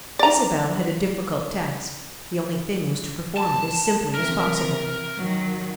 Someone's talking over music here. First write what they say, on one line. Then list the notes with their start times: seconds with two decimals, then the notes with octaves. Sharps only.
Isabel had a difficult task--the only thing was to perform it as simply as possible.
0.19 D5 A#5
3.37 A5
4.15 C3 E3 A#4
5.16 D#3 F#3